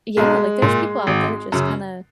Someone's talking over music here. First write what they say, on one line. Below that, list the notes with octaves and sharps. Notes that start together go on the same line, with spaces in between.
Yeah, like, "There's people out there just kinda
B1 G#3
A#2
G#1
F#2 C#3